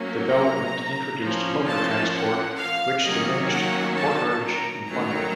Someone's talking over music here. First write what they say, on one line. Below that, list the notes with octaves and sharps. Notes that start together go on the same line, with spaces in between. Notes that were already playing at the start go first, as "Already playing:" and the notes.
Development introduced motor transport, which diminished porterage employment.
Already playing: F#3 A#3 C#4
A#5
F3 A#3 C#4
A5
F#5
F5
D#3 F#3 A#3 C#4 D#5
F#5
A5
A#5
D#3 F#3 A3 C#4 A#5